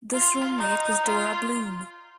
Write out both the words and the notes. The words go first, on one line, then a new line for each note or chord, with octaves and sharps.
This roommate was Dora Bloom.
F4
D#4
F4